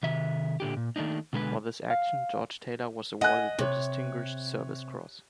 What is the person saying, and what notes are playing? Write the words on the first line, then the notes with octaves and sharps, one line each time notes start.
For this action, George Taylor was awarded the Distinguished Service Cross.
C3 D#3 E5
A#2 D3 G4
A#2
D#3 A3 A#3 D4 D#4
B2 D3 G#3 A#4 B4
F5
D#5 F#5 G#5 F#6
C3 C#5